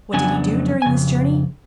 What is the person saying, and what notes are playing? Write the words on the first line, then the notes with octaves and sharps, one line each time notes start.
What did he do during this journey?
F2 C#3 F#3 B3 D4 G#5
G#5
F2 C#3